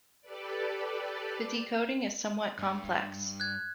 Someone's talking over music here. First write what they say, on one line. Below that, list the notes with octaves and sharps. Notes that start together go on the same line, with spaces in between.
The decoding is somewhat complex.
G4 A4 B4 D5
G2
F#6 G#6